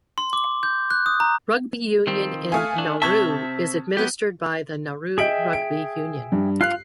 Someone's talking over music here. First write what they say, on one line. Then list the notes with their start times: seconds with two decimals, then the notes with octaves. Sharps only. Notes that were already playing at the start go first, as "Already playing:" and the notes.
Rugby union in Nauru is administered by the Nauru Rugby Union.
0.18 C6
0.33 D6
0.63 G6
0.91 F#6
1.06 D#6
1.20 A#5
2.07 D#3 F3 C4
2.52 A3 F5 G#5 D#6 F6
2.78 D4
3.02 C3 C4 E5 A5 C#6 G#6
3.97 F#3 B3 G4
5.18 G#4 D#5 E5 G5 D7 F#7
5.53 D7
6.32 G2
6.61 F4 F5 F#6 C7